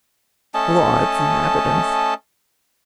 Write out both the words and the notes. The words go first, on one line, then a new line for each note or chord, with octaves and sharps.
Who are its inhabitants?
A3 C#4 D#5 A5